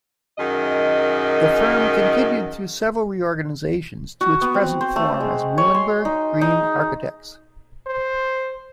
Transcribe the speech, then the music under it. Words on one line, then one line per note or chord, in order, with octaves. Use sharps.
The firm continued through several reorganizations to its present form as Muhlenberg Greene Architects.
F#2 D#3 G#4 D#5
F#4
B3
C4
C5
A3
G#3
C#5
C6
D#4
D#4
C5